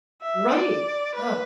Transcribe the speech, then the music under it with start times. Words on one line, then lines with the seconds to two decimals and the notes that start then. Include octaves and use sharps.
Right. Ugh.
0.22 E5
0.53 D5
1.15 B4